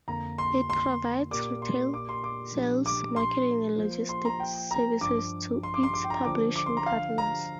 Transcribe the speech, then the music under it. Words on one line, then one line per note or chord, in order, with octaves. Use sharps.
It provides retail, sales, marketing and logistics services to its publishing partners.
F2 D3 A#3 A#5
C6
C6
A#2 A#3 G4 A#4 D5 D6
C6
D6
C6
D6
A#2 F3 D4 G4
D6
C6
F3 A#3 F4 C5
C6
A#5
G5
A#5
G2 F3 D4 D6
C6
D6
C6
D6
G5
A#5
D3 F3 D4 F4 C5 D6
D6
C6
A#5
F5
A#5